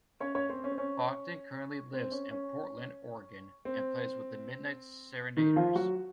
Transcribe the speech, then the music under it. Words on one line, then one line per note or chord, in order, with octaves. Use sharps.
Bogdan currently lives in Portland, Oregon and plays with the Midnight Serenaders.
C#4 C#5
C#4 C#5
C4 C5
C#4
C4
C#4
C4
C#4
C#4
C4
D#3 D#4
F3 F4
F#3 F#4